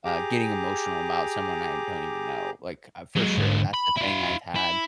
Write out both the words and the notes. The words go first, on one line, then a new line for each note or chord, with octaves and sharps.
uh, getting emotional about someone I don't even know. Like, for sure, that's the thing I've had
G4 G#4 A#5 D6
F#3 G#3
G#2 D3
B5
E4 F5
E4